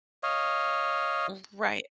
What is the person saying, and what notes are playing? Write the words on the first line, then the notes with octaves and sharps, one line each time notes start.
M Right.
C#5 D#5 F5